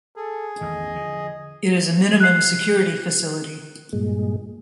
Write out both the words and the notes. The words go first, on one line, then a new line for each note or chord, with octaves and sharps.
It is a minimum security facility.
G#4 A4
A1 E2 D#3 D#5
D3 F3
F#6 C7
G2 A#2 G#3